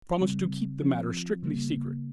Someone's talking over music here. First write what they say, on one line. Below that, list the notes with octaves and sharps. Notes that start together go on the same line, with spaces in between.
Promise to keep the matter strictly secret.
C#3 G3 C4
F3 C4 F4
C#3 G3 A#3